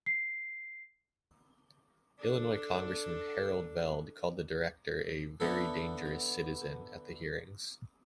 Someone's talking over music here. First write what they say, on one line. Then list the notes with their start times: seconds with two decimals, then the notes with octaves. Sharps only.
Illinois congressman Harold Velde called the director a "very dangerous citizen" at the hearings.
0.06 C7
2.19 D4 A4
5.40 D3 E3 B3 A4